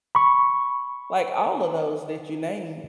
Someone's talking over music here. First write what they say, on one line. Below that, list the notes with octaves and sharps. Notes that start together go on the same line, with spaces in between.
Like, all of those that you named,
B5 C#6